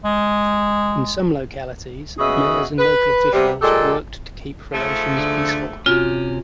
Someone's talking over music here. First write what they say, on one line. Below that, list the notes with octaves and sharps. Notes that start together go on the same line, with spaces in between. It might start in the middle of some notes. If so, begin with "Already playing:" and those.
In some localities, mayors and local officials worked to keep relations peaceful.
G#3
C#3 B3 F#4 G#4 D#5 E5
B4
C3 G3 B3
A#2 G#3 G4 A4
G#2 F3 A3
D3
C3 C#4 F4 F#4